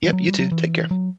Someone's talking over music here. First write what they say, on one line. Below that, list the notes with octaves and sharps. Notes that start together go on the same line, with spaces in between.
Yep. You too. Take care.
E3
F#3
G3
F#3
E3
F#3